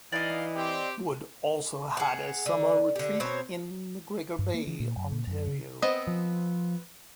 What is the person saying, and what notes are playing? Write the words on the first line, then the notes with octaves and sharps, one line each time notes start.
Wood also had a summer retreat in McGregor Bay, Ontario.
E3 D#4 D5 D#5 F5
C4 G4
G#4 F#5
D3
D3 G4
B2 C4 C5 C#5
G2
A#3
E3
A#2
F#2
A#2
F#2
C#3
B3 C4 D#5
F3